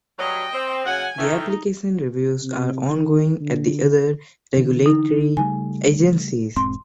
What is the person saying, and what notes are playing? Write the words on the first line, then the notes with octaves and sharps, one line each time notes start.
The application reviews are ongoing at the other regulatory agencies.
G2 F#3 D#5 G5
C4
F#2 C#3 F#5 G#5
D#3 E3 A3 D#4
C3
D#3
D3
D3 E3
D#4
C#3 G3 A3 G#5
E1 G#2 C4 C6